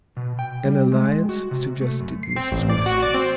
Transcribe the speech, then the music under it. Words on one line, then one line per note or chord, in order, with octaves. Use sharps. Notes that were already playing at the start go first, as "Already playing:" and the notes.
"An alliance," suggested Mrs. Western.
B2
G5
G3
G#3
F#4
C3
A3
F#2
C7
C4
A1
D5
F#4
D5
C4